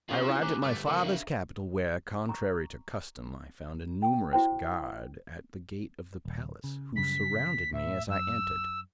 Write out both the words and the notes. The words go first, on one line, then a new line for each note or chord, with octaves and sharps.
I arrived at my father's capital, where, contrary to custom, I found a numerous guard at the gate of the palace, who surrounded me as I entered.
A#2 C#3 F3 C4 D#5 F5 D6
E4 F#4 E7
D2 G#5 A#5 D6 F#6
G1 A3
C#3 F#4 A#4 F5 A#5
D4 E5 F5
A#5 C#6 D6
G5
E4 F#4 C5 G5 D6
D#1
C#3
F#2 C#3 G3 B6
A2 E5
F#2 E6